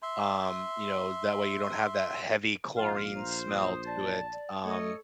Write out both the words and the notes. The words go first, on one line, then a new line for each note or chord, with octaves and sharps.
um, you know, that way, you don't have that heavy chlorine smell to it, um,
E5 C6
A#1 F4 F5
C5 A#5
C4 D#6
D5 A5
D5
A3 A4 C#5 D#5